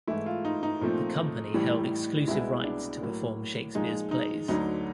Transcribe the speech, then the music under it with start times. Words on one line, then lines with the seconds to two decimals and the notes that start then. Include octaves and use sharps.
The company held exclusive rights to perform Shakespeare's plays.
0.07 G#2 E3 A3 E4
0.26 F4
0.45 D#4
0.63 D#4
0.81 A#2 F3 A3 C4
1.54 A2 E3 G3
2.28 C2 B2 G#3 B3 E4
2.64 D4
3.01 A2 F#3 A#3
3.75 A#2 F3 G#3 D#4
4.11 D#4
4.48 D2 D3 F#3 D#4